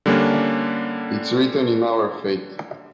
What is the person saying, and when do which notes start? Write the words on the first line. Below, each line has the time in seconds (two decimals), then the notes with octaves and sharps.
Its written in our fate.
0.06 D3 G3 A#3 C#4 D4